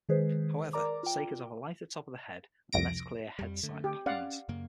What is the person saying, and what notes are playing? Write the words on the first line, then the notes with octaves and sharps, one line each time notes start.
However, sakers have a lighter top of the head and less clear head-side patterns.
D#3 G#3 G#4 B4 C5
A#4 D5 A#5 D6
F4 G5
C2 F2 A#6 D7
F2 G3
D3 A3
G4
C#4 D5 F5 F#5
F#2 C#3 A#3